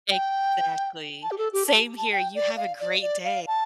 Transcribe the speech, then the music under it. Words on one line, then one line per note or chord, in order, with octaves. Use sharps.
Exactly, same here. You have a great day.
G5
A5
G4
A4
G4
A5
A5
G5
D5
F5
D5
D5
F5
A5